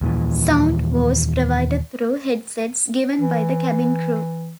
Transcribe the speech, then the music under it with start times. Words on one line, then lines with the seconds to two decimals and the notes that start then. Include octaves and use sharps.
Sound was provided through headsets given by the cabin crew.
0.01 D#2 A#2 E3
3.19 E3